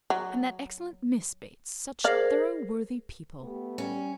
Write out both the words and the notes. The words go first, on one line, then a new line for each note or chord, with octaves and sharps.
And that excellent Miss Bates!--such thorough worthy people!
F#3
G#4 A#4 C5 D5 F5
A3 B3 G4
G3 C#4